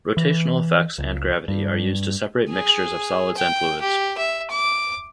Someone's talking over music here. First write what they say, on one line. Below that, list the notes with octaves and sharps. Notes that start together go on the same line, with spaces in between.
Rotational effects and gravity are used to separate mixtures of solids and fluids.
E3
C#2
G2
G#4
G5
G4
E5
D6